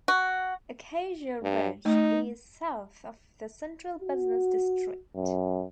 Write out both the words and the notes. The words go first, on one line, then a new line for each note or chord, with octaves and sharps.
Acacia Ridge is south of the central business district.
F#4
G2
A3 D#4
F#4
F#2